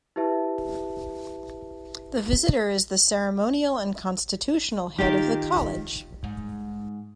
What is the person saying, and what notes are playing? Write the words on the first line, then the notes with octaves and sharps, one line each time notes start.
The Visitor is the ceremonial and constitutional head of the college.
E4 G4 B4 E5 A5
D#3 F4 G4
G#2